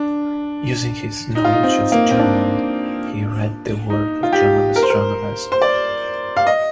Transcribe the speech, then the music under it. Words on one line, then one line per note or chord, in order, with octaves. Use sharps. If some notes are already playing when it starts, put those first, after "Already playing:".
Using his knowledge of German he read the work of German astronomers.
Already playing: D4
D#4
F4
D#4
C4
A#3
C4
D4
D#4
F4
G4
A#4
C5
A#4
C5
D5
F5
D#5